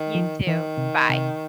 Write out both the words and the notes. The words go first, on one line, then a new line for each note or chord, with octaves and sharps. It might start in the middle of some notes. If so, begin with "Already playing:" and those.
You too. Bye.
Already playing: D#3
F3
D#3 E3
C3
C3